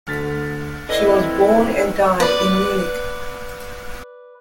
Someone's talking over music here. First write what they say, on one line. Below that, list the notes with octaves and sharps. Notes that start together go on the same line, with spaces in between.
She was born and died in Munich.
D2 F6 A6 B6
C4 E4 A4 B4 D5 D#5 A#6 G7
D#4
B4 D5